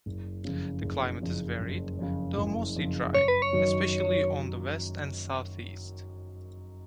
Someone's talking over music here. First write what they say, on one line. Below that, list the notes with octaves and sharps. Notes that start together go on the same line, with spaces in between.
The climate is varied, though mostly dry, especially on the west and southeast.
F#1
F2 C#3
F#1
F2 C#3
F#1
F2 C#3
F#1
F2 C#3
F#1 C#5
B4
C#5
F#2 D#3 F#3